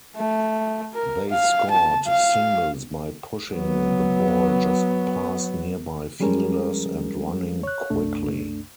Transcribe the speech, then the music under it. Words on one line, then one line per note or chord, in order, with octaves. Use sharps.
They scored singles by pushing the ball just past nearby fielders and running quickly.
A3
A#4
F5
A5
F5
F#3 B3
F3 G3 G#3 C#4 G#4 A#4
C#5 F#6
C2 F#2 A3 D4